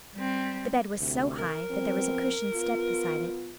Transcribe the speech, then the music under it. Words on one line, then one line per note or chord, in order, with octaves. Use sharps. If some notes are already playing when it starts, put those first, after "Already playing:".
The bed was so high that there was a cushioned step beside it.
G3 C4
D2 C3
A#4
F3 B3 C4
B3 F4